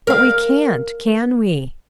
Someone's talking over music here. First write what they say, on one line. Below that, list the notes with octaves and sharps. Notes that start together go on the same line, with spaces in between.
"But we can't,--can we?"
A#4 F5